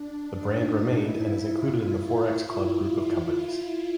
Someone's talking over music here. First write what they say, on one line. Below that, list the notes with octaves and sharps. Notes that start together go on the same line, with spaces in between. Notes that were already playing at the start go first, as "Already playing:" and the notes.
The brand remained and is included in the Forex Club group of companies.
Already playing: D4
D#4
E4
F4